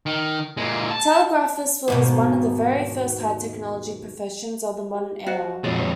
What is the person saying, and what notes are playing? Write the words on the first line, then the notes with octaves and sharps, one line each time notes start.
Telegraphist was one of the very first "high-technology" professions of the modern era.
D#3
A#2 G#3
A5
D#2 G#2 B2
G4
F#4 C5 D#5 F5
F2 A#2 F3 G#3 F4 C#5
D#3 F3